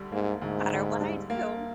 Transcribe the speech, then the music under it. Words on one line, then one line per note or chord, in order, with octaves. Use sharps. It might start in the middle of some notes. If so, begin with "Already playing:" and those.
no matter what I do,”
Already playing: D2 D3 G3
G#2 A#3
D2 G#2
D3
G3
A#3